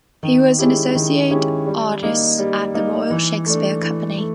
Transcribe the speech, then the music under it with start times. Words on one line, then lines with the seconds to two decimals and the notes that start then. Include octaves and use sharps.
He was an Associate Artist at the Royal Shakespeare Company.
0.23 D#3
0.59 G#3 C#4 E4 G4
0.95 D#3
1.30 G#3 C#4 E4 G4
1.67 G3
2.03 A#3 D#4
2.39 G3
2.74 A#3 D#4
3.10 E3
3.46 A3 D4
3.82 E3
4.18 A3